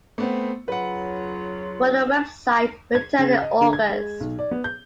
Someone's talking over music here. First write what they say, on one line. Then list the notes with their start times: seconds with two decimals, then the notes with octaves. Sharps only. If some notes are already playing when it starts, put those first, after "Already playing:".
But the website returned in August.
0.18 A3 B3 C4
0.68 C#3 F#3 F4 B4 F#5
2.95 G#6
3.19 C#3
3.42 D#5
3.61 D3
3.73 G#6
3.89 G#3
4.20 B1
4.39 D5
4.51 B3
4.64 G6